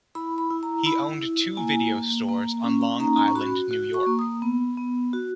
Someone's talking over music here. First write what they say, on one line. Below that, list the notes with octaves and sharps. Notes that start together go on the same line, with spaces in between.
He owned two video stores on Long Island, New York.
E4 B5
B5
E4
A#5
E4 B5
E4
A#3 G#5
A#3
A#3
C#4
D#4 A#5
A#5
C#6
F#4 B5
F#4
C#6
A#3
D#6
B3
B3
F#4